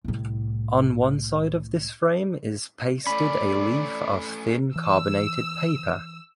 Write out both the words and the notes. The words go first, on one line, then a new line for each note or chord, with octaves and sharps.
On one side of this frame is pasted a leaf of thin carbonated paper.
C2 A2
A3 C#4 D5 B5
E3 E6